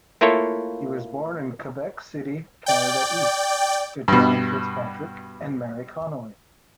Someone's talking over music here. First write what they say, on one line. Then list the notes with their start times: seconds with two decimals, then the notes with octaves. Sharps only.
He was born in Quebec City, Canada East, to John Fitzpatrick and Mary Connolly.
0.21 A3 A#3 E4 F4 A4 C#5
2.66 D5 G5
4.08 G2 B2